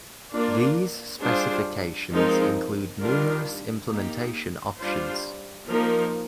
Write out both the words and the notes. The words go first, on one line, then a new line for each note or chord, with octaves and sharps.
These specifications include numerous implementation options.
A#3 D4 F4 A#4 D5
G3 D4 F4 G#4 C5
F3 G#3 C4 D#4 A#4
D#3 G3 D4 F4 A#4
A#3 D#4 G4
G3 D4 F4 C5
F3 A#3 D#4 A#4